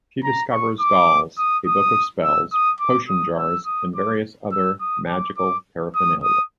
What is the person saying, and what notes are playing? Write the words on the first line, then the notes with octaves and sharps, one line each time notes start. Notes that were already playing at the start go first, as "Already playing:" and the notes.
She discovers dolls, a book of spells, potion jars, and various other magical paraphernalia.
A#5
C#6
D6
D#6
D#6
E6
D#6
D6
D#6
E6
D#6
D6
E6
D#6
D6
D6
D#6
D#6